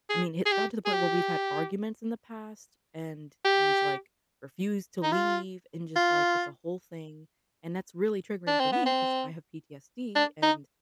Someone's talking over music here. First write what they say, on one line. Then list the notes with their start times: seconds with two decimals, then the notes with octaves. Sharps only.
I mean, it's gotten to the point where we've had arguments in the past, and he's, like, refused to leave and just, like, it's a whole thing. And that's really triggering for me 'cause I have PTSD and,
0.09 G#4
0.46 G#4
0.52 G4
0.85 G#4
0.93 G4
3.45 G4
5.03 D#4
5.12 F4
5.96 F4
8.47 D4
8.60 C4
8.72 B3
8.86 C4
10.15 D4
10.43 D#4